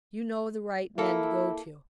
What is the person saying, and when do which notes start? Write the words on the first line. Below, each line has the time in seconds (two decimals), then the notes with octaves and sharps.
You know the right men to go to.
0.98 A#3 E4 A4